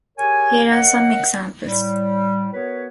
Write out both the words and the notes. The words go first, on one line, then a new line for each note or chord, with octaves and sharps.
Here are some examples.
G4 G#4 A#4 C#5 G#5
A#4 C#5 D#5 F5 F#5
A2 G3
B3 F#4 A#4 B4 C#5